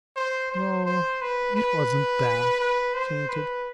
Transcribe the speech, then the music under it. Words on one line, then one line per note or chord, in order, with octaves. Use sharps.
"No--it wasn't that!" she answered.
C5
C5
C5
B4
B4
B4
C5
B4